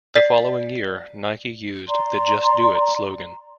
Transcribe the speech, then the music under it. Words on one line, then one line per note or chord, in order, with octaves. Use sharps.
The following year, Nike used the Just Do It slogan.
D5 A6 B6 C7
D5 A#5 C6